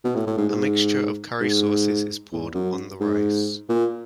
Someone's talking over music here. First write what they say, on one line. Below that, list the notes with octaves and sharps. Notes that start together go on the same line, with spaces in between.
A mixture of curry sauces is poured on the rice.
B2
A2
A2
G#2
G#2
G#2
E2
F#2
G#2
A#2